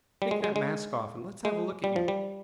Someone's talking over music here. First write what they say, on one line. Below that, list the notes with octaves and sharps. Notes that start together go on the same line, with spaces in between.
"Take that mask off and let's have a look at you."
G3
G#3
G#3
G#3
G#3
G3
F3
G3